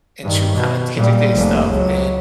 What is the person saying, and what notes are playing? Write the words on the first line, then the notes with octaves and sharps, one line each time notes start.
into kind of day-to day stuff, and
G2 D#3
B2
A#2 G3
F1 A#3
C#2 F#3